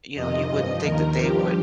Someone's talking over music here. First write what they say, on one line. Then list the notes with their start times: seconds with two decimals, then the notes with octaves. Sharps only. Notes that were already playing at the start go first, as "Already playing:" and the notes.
you know, you wouldn't think that they would
0.14 F2 C3 D#3 D#5
0.49 G2 F3
0.82 D#2 D#3 A#4
1.16 G2 F3 G4